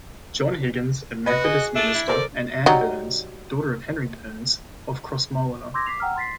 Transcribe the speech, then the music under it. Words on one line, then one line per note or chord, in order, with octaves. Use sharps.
John Higgins, a Methodist minister, and Anne Bournes, daughter of Henry Bournes of Crossmolina.
F#4 B4 D#5
G#4 D#5
A3 D4
E4
A4 A#4 C5 D5
F#3 G3 D#4
C6 D6 E6 G6 G#6 A#6
D6 B6 C7 F7
F#5 G5 A#5 E6 F6
C6 A6 B6 C7